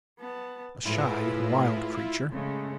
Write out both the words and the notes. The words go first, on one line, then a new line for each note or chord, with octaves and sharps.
A shy, wild creature.
B3 A5
A2 E4 F4 G#4 B4
C#3 G#3 A3